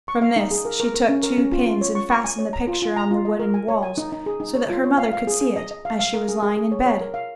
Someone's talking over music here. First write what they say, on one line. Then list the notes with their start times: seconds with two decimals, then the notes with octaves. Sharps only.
From this she took two pins, and fastened the picture on the wooden wall, so that her mother could see it as she was lying in bed.
0.08 C#6
0.22 F5
0.36 D#4
0.51 G#4
0.65 A#4
0.80 A#4
0.94 A#4
1.09 C#4
1.23 A#4
1.38 C#4
1.52 F4
1.66 F4
1.81 C#5
1.95 C#6
2.10 C#6
2.24 G#5
2.39 C#5
2.53 A#5
2.67 F4
2.82 F4
2.96 A#5
3.11 F4
3.25 D#5
3.39 A#4
3.54 G#5
3.68 C#5
3.83 G#5
3.97 D#4
4.12 D#4
4.26 G#4
4.40 D#4
4.55 C#5
4.70 F4
4.84 C#5
4.98 F5
5.13 F5
5.27 G#4
5.41 G#4
5.56 D#5
5.71 D#5
5.85 F5
5.99 F5
6.14 A#4
6.28 G#4
6.43 G#4
6.57 G#4
6.72 C#5
6.86 C#5
7.01 A#4
7.14 F5